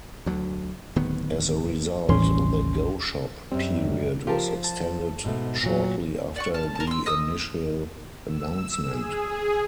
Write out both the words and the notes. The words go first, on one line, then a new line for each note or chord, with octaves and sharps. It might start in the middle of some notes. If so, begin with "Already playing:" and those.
As a result, the "go-shop" period was extended shortly after the initial announcement.
D2 F#3
D1 D#3 B3
A1 D#2 G3 C#4 C6
F#2 G3 C4
C#2
F3 F4 G4 A#4 A5
A5
G#2 B2 A3
A#2 F#3
D5 F#5 C#6
A5 F6
A#4 A5
C6 E6
D#5 D#6 E6
E6
G#4